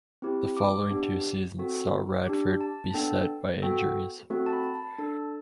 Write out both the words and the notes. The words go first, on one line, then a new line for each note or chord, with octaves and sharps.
The following two seasons saw Radford beset by injuries.
C4 E4 G4
D6
B3 D4 G4
C4 F#4 A4
D4 G4
A5
A5
B3 D4 A4 G5
B3 F#4 A4 G5
A3 C4 F#4 A4
A5
B5
A5
D4 A4 A5